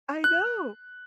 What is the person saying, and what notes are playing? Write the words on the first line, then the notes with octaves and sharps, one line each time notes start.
I know.
F#6